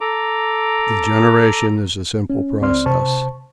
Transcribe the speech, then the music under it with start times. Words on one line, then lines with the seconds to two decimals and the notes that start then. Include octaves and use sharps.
The generation is a simple process.
0.01 A4 A#5 D6
2.30 C#4
2.61 C#2 C4 D5 C6 F6
2.86 C3 C5 A5 C#6